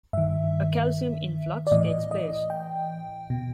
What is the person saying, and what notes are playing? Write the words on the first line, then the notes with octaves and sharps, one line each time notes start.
A calcium influx takes place.
G2 D#3 E5
D5
A2 E3 D#5
D#5
G5
B2